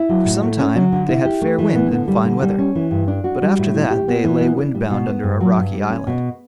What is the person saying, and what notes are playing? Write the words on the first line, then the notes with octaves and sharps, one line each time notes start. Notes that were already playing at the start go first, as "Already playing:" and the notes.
For some time they had fair wind and fine weather, but after that they lay wind-bound under a rocky island.
Already playing: E4
F#3
A2
A3
C#4
F#3
D3
E4
G4
A3
E3
B3
D3
G3
D3
G3
C#4
E3
G2
D4
F#4
G3
A2
E4
G4
B3
E3
B3
D4
G3
B2
B3
G2
F#3
G2
G3
C#4
B2